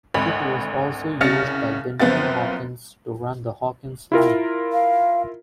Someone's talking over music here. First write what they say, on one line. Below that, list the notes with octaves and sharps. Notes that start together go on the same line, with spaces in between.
It was also used by Benjamin Hawkins to run the Hawkins Line.
G#1 D2 B5
C2 C#3 F6 A6 A#6 C#7
F#2 F3 B3 C4 F4 A6
E4 F4 A#4
F5